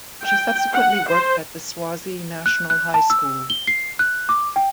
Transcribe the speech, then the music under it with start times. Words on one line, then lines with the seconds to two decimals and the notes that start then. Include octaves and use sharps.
She subsequently worked at the Swazi National High School.
0.24 G5
0.73 F#5
1.09 C5
2.46 F#6
2.70 F#6
2.94 A5
3.10 E6
3.50 G7
3.68 C7
3.99 F#6
4.29 D6
4.56 G5